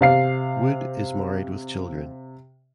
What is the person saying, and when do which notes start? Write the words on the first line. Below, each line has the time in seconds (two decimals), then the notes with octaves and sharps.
Wood is married with children.
0.01 C3 F5 C7